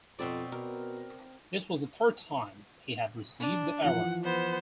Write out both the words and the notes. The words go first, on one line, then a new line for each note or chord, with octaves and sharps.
This was the third time he had received the award.
F2 B2 C4 D5
B2 A#4
D4
E3 F3 F4 F#5
B3 C5